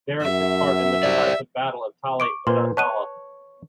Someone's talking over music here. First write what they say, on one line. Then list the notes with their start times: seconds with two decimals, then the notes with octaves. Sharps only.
There it took part in the decisive Battle of Tali-Ihantala.
0.22 F#2 E5
1.03 G4 C5 D5
2.20 C#6 D6 D7
2.47 A#2 B4 C5 C6
2.77 C#5 A5 F#6 D#7